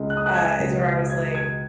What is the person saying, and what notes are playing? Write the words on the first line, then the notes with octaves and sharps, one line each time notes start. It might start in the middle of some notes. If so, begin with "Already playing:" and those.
uh, is where I was like,
Already playing: C#2 C#3 G#3
F#6
D#6
F#6
G#6
C#2 B2 G#3 B3
G#6
G#6